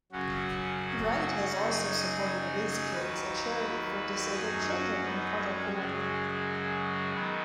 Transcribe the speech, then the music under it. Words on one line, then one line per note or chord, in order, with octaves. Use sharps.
Wright has also supported Whizz-Kidz, a charity for disabled children in Hartlepool.
F#2 C#3 F#3 C#4 F#4
F#2 C#3 F#3 D#4 G#4
D#2 D#3 F#3 F#4 B4
F#2 F#3 D#4 G#4
C#4 F#4
B3 D#4
G#3 C#4
F#2 C#3 F#3 G#3
D#3 F#3 B3